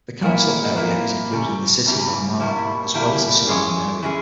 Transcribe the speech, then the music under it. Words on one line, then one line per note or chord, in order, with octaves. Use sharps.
The Council area included the city of Armagh, as well as the surrounding area.
A#2 A#3 E4
A#2 A#3 E4
E2 C#3 G3
E2 C#3 E3 G3
E2 B2 G3 A#3 E4
E2 B2 G3 A#3 E4
E3 G#3 C#4 G#4
E3 G#3 C#4 G#4